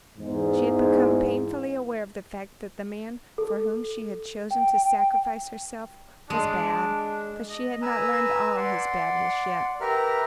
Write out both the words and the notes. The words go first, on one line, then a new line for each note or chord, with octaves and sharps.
She had become painfully aware of the fact that the man for whom she had chosen to sacrifice herself was bad, but she had not learned all his badness yet.
E2 G#2
A4
G5
G#3 D4
D#5
B4 G#5 A#5 E6
D5 F#5 C6
G4 A#4 B4 E5 A#5 F6